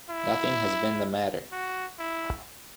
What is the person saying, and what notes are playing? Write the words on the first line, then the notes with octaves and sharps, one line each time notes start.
Nothing has been the matter.
E4
F#4
E4